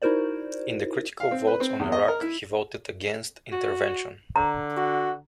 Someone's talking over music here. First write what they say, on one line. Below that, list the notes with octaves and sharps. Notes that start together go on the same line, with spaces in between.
In the critical votes on Iraq, he voted against intervention.
D#4 E4 F#4 A#4 C5 D5
F5
C4
B4
C4
E2
D#5
A#4
E4
F#4
D3 A#5
F#4